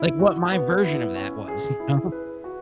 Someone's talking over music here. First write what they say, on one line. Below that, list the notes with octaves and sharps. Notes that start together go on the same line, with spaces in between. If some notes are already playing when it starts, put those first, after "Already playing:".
Like, what my version of that was, you know?
Already playing: E4
F#4
B3
E4
C#4
G#4
E4
B4
F#4